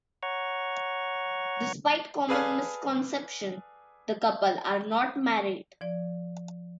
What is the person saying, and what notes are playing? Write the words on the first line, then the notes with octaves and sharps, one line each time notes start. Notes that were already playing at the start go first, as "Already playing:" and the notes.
Despite common misconception, the couple are not married.
C#5 F#5 A#5 C#6
G#4 A4 B4 D5 F5 G#5
F3 D5